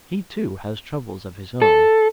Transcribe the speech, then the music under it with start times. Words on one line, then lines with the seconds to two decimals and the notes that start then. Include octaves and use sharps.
He, too, has troubles of his own.
1.62 A4